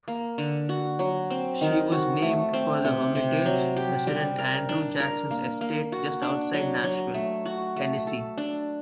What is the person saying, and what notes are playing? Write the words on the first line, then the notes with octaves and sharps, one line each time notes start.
She was named for The Hermitage, President Andrew Jackson's estate just outside Nashville, Tennessee.
A#3
D3
F#4
F#3
C4
D#3
F#4
A3
C4
C3
C3
F#3
G4
G3
A#4
D4
A#4
A#3
A#3
F#4
D4
F#3
F#3
A3
F#4
A3
A4
D4